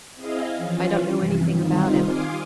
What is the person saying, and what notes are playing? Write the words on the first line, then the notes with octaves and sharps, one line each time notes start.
"I don't know anything about him."
C4 E4 G#4 D#5 F5
E3 F3 C#4 F4
G2 C3 E3
D#3 G3 C4 D#4 F4
F5 G#5 C6 D6 D#6